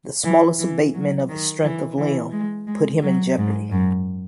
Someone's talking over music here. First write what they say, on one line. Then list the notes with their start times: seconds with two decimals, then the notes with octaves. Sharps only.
The smallest abatement of his strength of limb put him in jeopardy.
0.24 E3
0.59 E3
0.94 F#3
1.29 D#3
1.63 E3
1.98 E3
2.32 G#3
2.67 G#3
3.02 F#3
3.37 G#2
3.71 F#2